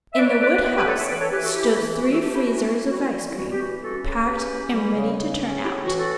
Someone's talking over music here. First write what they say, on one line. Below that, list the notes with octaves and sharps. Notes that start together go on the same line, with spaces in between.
In the woodhouse stood three freezers of ice-cream, "packed" and ready to turn out.
E5
E3 B4 D5
C#5
B4 D5
E3 B4 D5
B4 D5
B3 B4 D5
G4 B4
D4 A4 C#5
C#5 E5
E3 B4 D5
A4 C#5
E3 G4 B4
F#4 A4
E3 E4 G4
E3
E3 F#4
F#4 A4
D4 E4 G4
E4 G4
E3 F#4
F#4
E4
G3 F#4
E4
G3 F#4
E4
E3 F#4
E4
G3 F#4
G4
E3 F#4
C#4 F#4 A4
C#3
C#4 G4 B4
E3
G3
C#3
C#3
C#4
A2 E4 G4
E3 F#4
F#4 A4